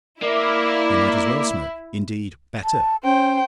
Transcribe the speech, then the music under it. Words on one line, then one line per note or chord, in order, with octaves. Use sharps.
You might as well smoke- -indeed, better.
A#3 E4 D5
A5
C#4 C5 G5